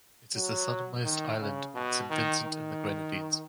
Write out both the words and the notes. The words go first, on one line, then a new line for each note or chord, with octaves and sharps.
It is the southernmost island in Saint Vincent and the Grenadines.
F#3
D#3
C#3
B2
D#3
D#3